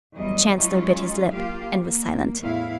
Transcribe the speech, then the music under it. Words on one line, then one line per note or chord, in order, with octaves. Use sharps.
The Chancellor bit his lip, and was silent.
E2 A2 F#3 G3 D#5
F#3 G#3 C#4 D#4 F4
A#3 F4 G4 F5
A#3
E2 A2 E4 F5